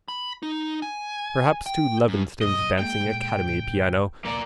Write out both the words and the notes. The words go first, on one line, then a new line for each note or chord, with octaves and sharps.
Perhaps to Levenston's dancing academy piano.
B5
D#4
G#5
G5
F#2
D#2 B2 F#3 D#5
G#3 A#3 G5
A#2 G#3
C#2 A2
A#1 D#2 A#3 D5